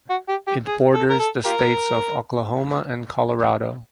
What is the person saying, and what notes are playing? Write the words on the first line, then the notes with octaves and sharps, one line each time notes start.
It borders the states of Oklahoma and Colorado.
F#4
G4
G4
G#4
A4
A#4
A4
F4 G4 A#4